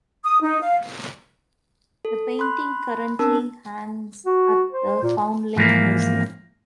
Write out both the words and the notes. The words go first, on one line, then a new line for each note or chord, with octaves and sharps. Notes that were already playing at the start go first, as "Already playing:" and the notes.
The painting currently hangs at the Foundling Museum.
D#6
D#4
F5
A4
B5 C6 F#6
C4 D4 A#4 A5 E6
F#4
C5
A#2
G#2 E3 F3 A#3